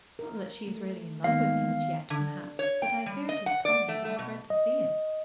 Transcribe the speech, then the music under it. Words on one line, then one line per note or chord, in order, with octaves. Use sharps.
Not that she is really in love with him as yet perhaps, but I fear it is coming and I dread to see it.
A#4
A3
G#2 D#3 A#3 B3 F5
D3
C#5
G5
G3
D#5
F#5
D5
A3
A3
B2
D#5